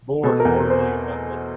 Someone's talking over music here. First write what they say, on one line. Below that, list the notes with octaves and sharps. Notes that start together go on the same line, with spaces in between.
Born Lord William Douglas.
B2 A4
A#4
E2
C4
C5